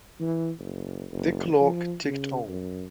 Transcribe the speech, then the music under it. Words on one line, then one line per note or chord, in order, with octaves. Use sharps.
The clock ticked on.
E3
F#1
F#1
F3
C#3
F#2